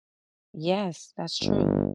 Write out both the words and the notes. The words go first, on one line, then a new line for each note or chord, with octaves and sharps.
Yes, that's true.
G1